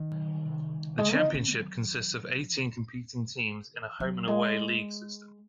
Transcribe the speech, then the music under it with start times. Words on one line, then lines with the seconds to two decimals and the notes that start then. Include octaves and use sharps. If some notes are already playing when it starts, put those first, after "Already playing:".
The championship consists of eighteen competing teams in a home and away league system.
Already playing: D#3
0.98 G#3
1.16 D#4
1.34 C#4
1.53 F#3
2.63 A2
3.72 E3
4.00 F#3
4.28 G#3